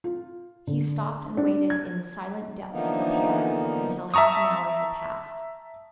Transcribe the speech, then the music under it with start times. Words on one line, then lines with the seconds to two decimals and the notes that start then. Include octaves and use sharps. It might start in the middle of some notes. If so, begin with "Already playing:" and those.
He stopped and waited in the silent depths of the pear until half an hour had passed.
0.04 F4
0.67 D3
1.37 D4
1.70 G#6
2.70 D3 E3 F3 A#3 B3 D#4
4.14 E5 A5 A#5 C#6 D#6